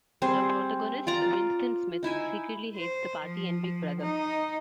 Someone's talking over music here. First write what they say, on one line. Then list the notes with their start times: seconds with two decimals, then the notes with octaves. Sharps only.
The protagonist, Winston Smith, secretly hates the Party and Big Brother.
0.22 G3 C4 G#4 C5
1.07 F4 D5 A#5
2.03 D#4 E4 E5 G#5
2.76 C5
3.24 F3
4.01 D#4